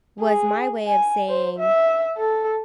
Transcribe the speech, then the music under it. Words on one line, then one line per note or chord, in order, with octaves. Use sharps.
was my way of saying,
G#4
G#5
C5
E5
A4